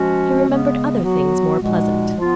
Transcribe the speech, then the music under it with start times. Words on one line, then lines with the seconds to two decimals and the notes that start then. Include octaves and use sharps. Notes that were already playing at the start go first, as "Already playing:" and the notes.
He remembered other things more pleasant.
Already playing: F3 G#3 C#4 F#4
0.46 C#3 G#3 B3
1.03 F#3 B3 F#4
1.60 A#2 F3 G#3 D#4 F#4
2.16 F3 B3 F4